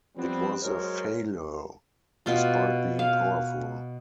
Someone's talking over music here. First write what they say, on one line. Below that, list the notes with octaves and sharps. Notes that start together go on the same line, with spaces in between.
It was a failure despite being powerful.
F3 G3 B3 C4
F#3 G#3 A#4 C5 C#5
B2 F4 C6
F5